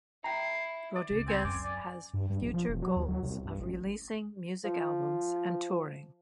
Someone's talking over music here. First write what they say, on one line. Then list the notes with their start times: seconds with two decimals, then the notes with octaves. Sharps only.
Rodriguez has future goals of releasing music albums and touring.
0.24 E4 G5 A#5 C7
0.96 D5
1.10 C#2
1.28 C4 G#5
1.44 F#2 D6
1.63 D5
2.13 G2
2.30 G2
2.42 A#1
2.54 F3
2.68 E1
2.82 F#3
2.96 D#2
3.09 F#3
3.23 C2
3.45 G2
3.60 A1
4.65 F3